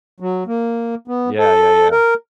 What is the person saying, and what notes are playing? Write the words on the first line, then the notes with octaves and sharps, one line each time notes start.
Yeah, yeah, yeah.
F#3
A#3
B3
A4
A#4